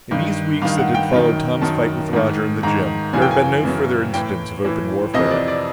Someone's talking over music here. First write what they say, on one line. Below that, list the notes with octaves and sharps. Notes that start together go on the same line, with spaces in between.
In these weeks that had followed Tom's fight with Roger in the gym, there had been no further incidents of open warfare.
G2 D#3
G2 D#3 F5
F#5
G5
F#2 D#3
F#2 D#3 A5
G#2 D#3
G#2 D#3 A#5
F#2 C#3 E3 G#5
G5
G#5
F#2 C#3 E3
A2 E3 G5
A2 E3
F2 C3 E3 D#5
D5
D5